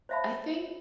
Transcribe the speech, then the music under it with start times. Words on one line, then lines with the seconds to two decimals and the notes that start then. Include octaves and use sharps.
I think
0.09 C5 C#5 E5 F5 A5 B5